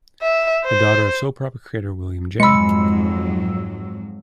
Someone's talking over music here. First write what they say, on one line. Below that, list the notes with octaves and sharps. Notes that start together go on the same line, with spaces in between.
The daughter of soap opera creators William J.
E5
C5
F2 G#2 F#3 G#3 B5 E6 C#7